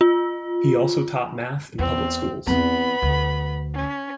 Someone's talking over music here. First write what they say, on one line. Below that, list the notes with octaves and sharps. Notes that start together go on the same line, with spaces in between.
He also taught math in public schools.
F4
E2 C4
E2 B3 C4 B5
D2
C#4